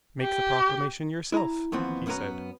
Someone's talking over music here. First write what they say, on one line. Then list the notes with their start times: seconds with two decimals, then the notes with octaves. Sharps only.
Make the proclamation yourself, he said.
0.22 G4
1.32 E4 A#5
1.72 D#2 E3 F3 B3 C4 F#5
2.06 F#2 B3 C#4 E4 B4 A#5